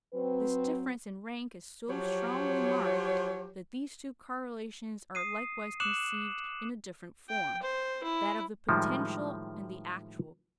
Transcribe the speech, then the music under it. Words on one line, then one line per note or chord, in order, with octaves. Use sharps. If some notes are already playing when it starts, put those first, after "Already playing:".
This difference in rank is so strongly marked, that these two correlations are likewise conceived in a different form--that of the potential and the actual.
F#3 C4 B4
F3 F#3 G4 C#5
D#6 C7 D#7
D6 D#6 F#6 C#7 E7 F#7
G5
C5
E4
A2 D#3 F3 G3 G#3